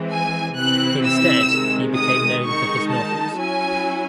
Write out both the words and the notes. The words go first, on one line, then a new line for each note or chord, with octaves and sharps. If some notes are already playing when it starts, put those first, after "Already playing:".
Instead, he became known for his novels.
Already playing: E3 G#3 C4
G#5
C3 E3 C4 E4 F#6
E6
C3 D#3 G#3
D#6
D#3 G#3 D#4 C#6
A5
F#3 C#4 E4 G#5